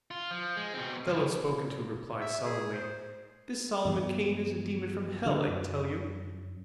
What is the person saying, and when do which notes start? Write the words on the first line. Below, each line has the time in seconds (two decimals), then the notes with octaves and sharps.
The fellow spoken to replied sullenly, "This Solomon Kane is a demon from Hell, I tell you."
0.11 F4
0.31 F3
0.56 G#3
0.74 B2 C4
1.07 C#2 G2
2.21 E5
2.45 G#4
2.74 C5
3.85 G2 E3 F#3 B3
5.26 D3
5.47 F#2